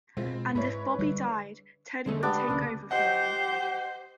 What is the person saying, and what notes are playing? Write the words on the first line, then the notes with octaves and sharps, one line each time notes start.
And if Bobby died, Teddy would take over for him.
B2 G#3 C4 F4
G#2 G#3 E4 B4 C#5 B5
D3 G3 D4
D3 G#3 A3
B3 D4 G4
D2 C#3 A#3
G4 C5 D#5 F#5